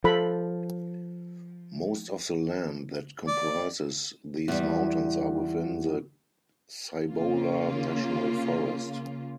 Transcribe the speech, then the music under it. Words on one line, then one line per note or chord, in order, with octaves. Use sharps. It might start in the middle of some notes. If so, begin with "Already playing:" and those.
Most of the land that comprises these mountains are within the Cibola National Forest.
F3 A4 B5
D5
E2 G3
C#3 A#3 F4